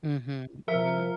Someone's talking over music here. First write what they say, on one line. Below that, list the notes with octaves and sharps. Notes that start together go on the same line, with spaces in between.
Mhm, mhm.
F3 A#4 E5 A#5 F6